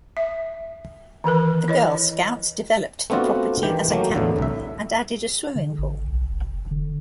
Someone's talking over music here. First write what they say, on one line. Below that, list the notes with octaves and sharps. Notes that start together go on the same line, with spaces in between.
The Girl Scouts developed the property as a camp, and added a swimming pool.
E5
D#3 E3 A#4 B4
E4 C#5 D#5
A3 B3 C4 D4 F4 F#4
D#3 E3 G4 G5
F#3 A3 A#3
E2 A2 D3
C2 E5
D3
G#1
B1
F1
D3